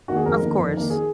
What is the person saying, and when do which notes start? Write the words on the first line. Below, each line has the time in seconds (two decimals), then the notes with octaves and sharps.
Of course.
0.08 D#3 A#3 F#4
0.17 G#4
0.26 F2 A#4
0.42 D#3 A#3
0.57 F2
0.74 D#3 A#3
0.90 G#4